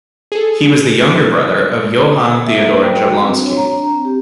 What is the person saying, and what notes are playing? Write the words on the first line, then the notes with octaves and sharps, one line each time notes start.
He was the younger brother of Johann Theodor Jablonski.
G#4 A4
E5
A#3
C5
G5
F#4
C4
D4
C#5
A#5
D4
C4
G4